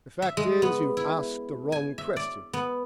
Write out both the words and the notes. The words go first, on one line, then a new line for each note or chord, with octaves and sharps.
The fact is you've asked the wrong question.
E5
G#3
B3
E4
G#5
E5
D5
B3